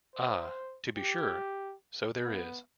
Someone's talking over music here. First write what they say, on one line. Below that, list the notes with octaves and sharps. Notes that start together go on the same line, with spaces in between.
Ah, to be sure, so there is!
C5
G4
B3